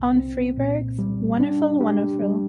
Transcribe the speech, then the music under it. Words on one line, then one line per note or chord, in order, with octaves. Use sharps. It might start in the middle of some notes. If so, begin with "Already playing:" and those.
On Freberg's Wun'erful, Wun'erful!
Already playing: C2
C4
A#2
G3
D4
G4
G3